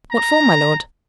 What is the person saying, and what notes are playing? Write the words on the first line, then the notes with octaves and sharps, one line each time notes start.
"What for, my Lord?"
A#5